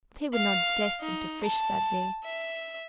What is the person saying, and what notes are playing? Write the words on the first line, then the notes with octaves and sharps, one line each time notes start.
They were not destined to fish that day.
F5
D#4
A5
E5